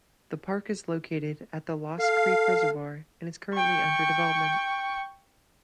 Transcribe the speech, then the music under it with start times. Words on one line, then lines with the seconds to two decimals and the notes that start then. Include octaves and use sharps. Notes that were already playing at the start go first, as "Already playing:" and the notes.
The park is located at the Lost Creek Reservoir and is currently under development.
1.99 A4 F5
3.53 G5 C#6